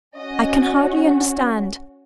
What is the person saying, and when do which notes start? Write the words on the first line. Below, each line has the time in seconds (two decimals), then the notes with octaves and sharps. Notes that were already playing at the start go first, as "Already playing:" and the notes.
I can hardly understand.
0.16 C#4 F#4 D#5